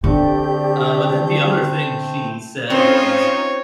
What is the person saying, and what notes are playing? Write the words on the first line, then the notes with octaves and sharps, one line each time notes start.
Uh, but then, the other thing she said was,
D3 A3 C4 G4 D5 G6
C4 C#4 D#4 F4 C5 C#5